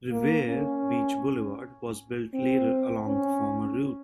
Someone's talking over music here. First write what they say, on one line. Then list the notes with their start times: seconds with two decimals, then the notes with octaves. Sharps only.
Revere Beach Boulevard was built later along the former route.
0.11 A#3
0.48 C#4
2.34 C4
3.07 C#4